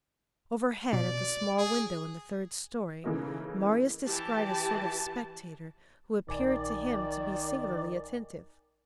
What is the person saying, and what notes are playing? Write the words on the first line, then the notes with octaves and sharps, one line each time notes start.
Overhead, at the small window in the third story Marius descried a sort of spectator who appeared to him to be singularly attentive.
B2 D5
G#4
C#3 E3 A3 A#3 C#4 D#4
E3 G4 A5
A#1 D#3 A#4 D5 G#5